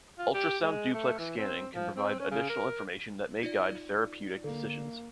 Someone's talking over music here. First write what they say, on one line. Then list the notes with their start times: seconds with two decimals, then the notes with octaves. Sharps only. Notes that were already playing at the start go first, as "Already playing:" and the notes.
Ultrasound duplex scanning can provide additional information that may guide therapeutic decisions.
0.18 F4
0.34 G4
0.63 G#3
0.94 A3
1.19 E3
1.38 C4
1.75 F3
1.97 C4
2.20 C#4
2.31 C#3
2.49 A#4
3.43 D#4 F4 D5
4.44 D3 A#3